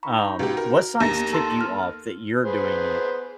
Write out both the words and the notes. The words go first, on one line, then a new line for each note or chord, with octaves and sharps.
Um, what signs tip you off that you're doing it,
D#4 A#5 B5 C#6
C#2 F#4 G4
A#4
D#2 G4 A#5
A4 A5 C6
F6
B3 G#4 C5